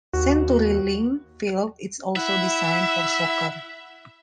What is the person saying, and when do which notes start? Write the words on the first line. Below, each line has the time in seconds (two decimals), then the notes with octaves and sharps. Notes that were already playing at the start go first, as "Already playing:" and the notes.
CenturyLink Field is also designed for soccer.
0.13 D#2 F#4
2.16 E4 E5 F#5